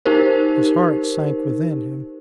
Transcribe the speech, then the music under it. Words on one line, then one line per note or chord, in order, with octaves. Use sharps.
His heart sank within him.
D#4 G4 A#4 C5